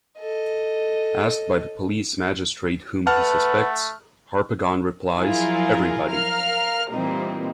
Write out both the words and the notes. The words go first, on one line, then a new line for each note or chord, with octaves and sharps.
Asked by the police magistrate whom he suspects, Harpagon replies, Everybody!
A4 D#5
A3 B4 F#5 A5 F6
F3 F#3 E4 F4 G#4 A#4
A#4 F5 F6
A#2 E3 G3 A#3 C4 D#4